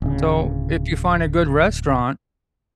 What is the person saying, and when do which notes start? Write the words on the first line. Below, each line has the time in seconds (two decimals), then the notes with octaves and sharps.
So, if you find a good restaurant,
0.02 D1 C#3